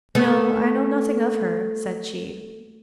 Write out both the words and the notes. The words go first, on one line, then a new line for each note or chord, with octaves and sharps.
'No, I know nothing of her,' said she.
A3 B3